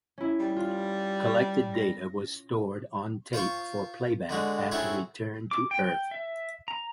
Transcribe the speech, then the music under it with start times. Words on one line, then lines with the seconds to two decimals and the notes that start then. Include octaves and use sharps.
Collected data was stored on tape for playback after return to Earth.
0.18 C#4 E4
0.40 G3
0.57 F4
1.74 A#6
3.33 F4 C5 C6 C#6
4.29 D3 G#3 F#4
4.72 C4 C#4 E4 F#4 G#4 A4
5.51 D6
5.71 G5
5.84 G5
6.11 E5
6.68 A#5